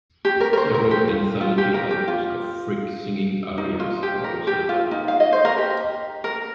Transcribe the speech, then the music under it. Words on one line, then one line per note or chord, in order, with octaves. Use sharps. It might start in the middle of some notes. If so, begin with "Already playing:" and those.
Several anthology albums of Frick singing arias are also available.
G4
A#4
A#4
C5
A#4
G4
F4
F4
G4
A#4
G4
F4
D#4
F4
G4
A#4
G4
F4
D#4
F5
D#5
C5
A#4
G4
A#4